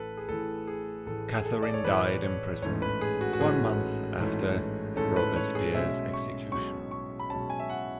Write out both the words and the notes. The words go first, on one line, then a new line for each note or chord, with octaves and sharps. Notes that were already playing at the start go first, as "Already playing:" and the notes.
Catherine died in prison one month after Robespierre's execution.
Already playing: A1 A2 E3 A4 B4
G#4
A1 A2 E3 A4
G#4
A1 A2 E3 A4
G#4
A4
D5
C#5
A1 A2 E3 B4
C#5
A1 G#2 E3 A3 C#4 C#5
B4
G#4
F#4
F#4
A1 G#2 E3 A3 C#4 G#4
A1 G#2 E3 A3 C#4
A1 G#2 E3 A3 C#4 A4
B4
C#5
G#4
B1 B2 G#3 C#4 E5
C#6
B1 B2 G#3 C#4 C#6
C#6
B5
B1 B2 G#3 C#4 A5
G#5
E5
F#5